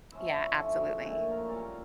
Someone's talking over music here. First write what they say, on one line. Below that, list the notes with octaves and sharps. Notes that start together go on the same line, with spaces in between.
Yeah, absolutely.
F3 C#4 E4 E5
D5
C#5
D3 F3 C#4 E4
A#2 A3 D4 C#5
A#4
C#5
A#2 G3 C#4 D5